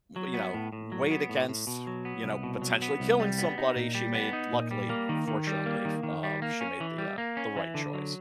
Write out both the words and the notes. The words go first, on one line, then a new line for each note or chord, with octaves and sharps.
w you know, weighed against, you know, potentially killing somebody, she made luckily, fortunately f uh, she made the, uh the right choice.
F#3
B3
A2
A2
F#3
B3
A2
A2
B2
F#3
B3
C2
B2
F#3
B3
C2
G3
B3
D#4
A#2
G3
B3
D#4
A#2
G3
A#3
D#3
D#3
G3
A#3
D#3
D#3
G3
A#3
C#4
E3
G3
A#3
C#4
E3
D3
F#3